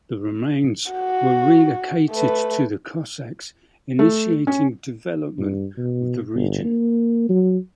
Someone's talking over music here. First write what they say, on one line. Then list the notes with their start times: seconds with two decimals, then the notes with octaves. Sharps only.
The remains were relocated to the Cossacks, initiating development of the region.
0.92 F#4
2.11 A3 B4
3.99 A3
4.47 C#4
5.38 G2
5.77 B2
6.35 G1
6.64 A#3
7.29 F#3